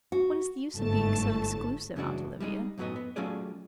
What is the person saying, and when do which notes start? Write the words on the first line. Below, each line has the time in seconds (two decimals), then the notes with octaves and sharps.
What is the use of being so exclusive, Aunt Olivia?
0.12 F#4
0.76 G1 G#2 A3 A5
1.96 F#2 C#3 E3 G#3 D4 F#4
2.40 G3 G#3 D4 D#4
2.78 F#2 A2 F#3 G#3 B3 D#4
2.96 B3
3.16 F#3 A3 C#4 F4 G#4 D5